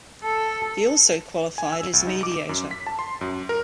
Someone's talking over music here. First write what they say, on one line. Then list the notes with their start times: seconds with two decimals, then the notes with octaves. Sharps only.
He also qualified as mediator.
0.24 A4
1.58 G#5
1.73 E6
1.93 C2
2.07 D#4
2.23 D6
2.49 F#2
2.71 B6
2.87 A5
2.99 C6
3.21 F#2
3.49 A#4